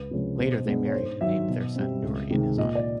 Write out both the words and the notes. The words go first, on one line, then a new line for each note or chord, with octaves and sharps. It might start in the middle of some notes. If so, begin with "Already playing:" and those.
Later they married and named their son Nuri in his honor.
Already playing: C#2 B4
C3 F3 G#3 C#4
B2 C5
G#3 B3 D4
C#5
G#2 C5
D#3 F#3 E5
B2
G3 C4
C#2
C3 D#3 G#3
A#2 D#5
D5